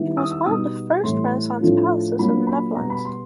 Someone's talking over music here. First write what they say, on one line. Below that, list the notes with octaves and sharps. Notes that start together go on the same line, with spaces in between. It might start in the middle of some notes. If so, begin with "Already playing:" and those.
It was one of the first Renaissance palaces in the Netherlands.
Already playing: D#3 G3 B3 E4
D#6
E6
B2 G3 B3 D#4 D#6
A2 E3 G3 C6
A2 F3 A3 D4 F4
A#2 F#3 A#3 D4 B5
B5
B2 G3 B3 A#5
B5
C6